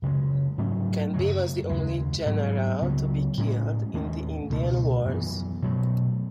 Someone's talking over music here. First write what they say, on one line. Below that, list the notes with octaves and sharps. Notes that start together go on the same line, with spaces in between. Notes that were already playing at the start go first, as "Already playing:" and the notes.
Canby was the only general to be killed in the Indian Wars.
F#2 C#3 G#3
G#2 F#3 A3 C#4
F#2 C#3 F#3
D#2 C#3 G#3
G#2 F#3 B3
C#2 C#3 F#3 B3
A2 G#3 C#4
D#2 D#3 A3 C#4
C#2 B2 A3
F#2 E3 B3
B2 F#3 A3